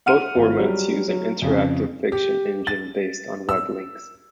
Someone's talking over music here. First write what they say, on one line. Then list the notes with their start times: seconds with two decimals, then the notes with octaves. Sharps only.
Both formats use an interactive fiction engine based on weblinks.
0.06 F#5 F6 C#7 D#7
0.35 G#1 F4
0.57 F#3 G3
1.08 F#3
1.42 F2 C#3
2.12 G4
2.67 A6
3.49 E6